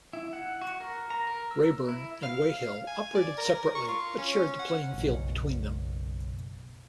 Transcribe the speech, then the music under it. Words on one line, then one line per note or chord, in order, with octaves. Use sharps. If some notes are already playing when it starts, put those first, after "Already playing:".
Raeburn and Weyhill operated separately but shared the playing field between them.
E4
F#5
F#4
A#4
A#5
A#4
E6
E4
F5
F5
G#5
D5
A#4
A#4
C#6
F4
C#4
F#5
F#1 B1